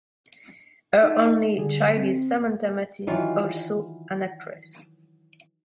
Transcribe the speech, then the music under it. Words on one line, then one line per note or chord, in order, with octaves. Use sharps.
Her only child is Samantha Mathis, also an actress.
D#4 D#5
D3 G3 G#4
C4
D#3 E3 F#3 F4